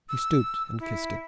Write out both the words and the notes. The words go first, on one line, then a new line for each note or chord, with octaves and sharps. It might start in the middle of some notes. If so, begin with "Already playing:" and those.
He stooped and kissed it.
E6
E4